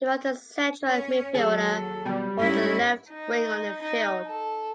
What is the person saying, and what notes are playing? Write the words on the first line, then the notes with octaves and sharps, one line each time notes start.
He was the central midfielder or the left wing on the field.
C#4
D#2 F#3 G#4 A4
B2 G3
G#2 C#4 D#4 E4
D#4
D#4
A4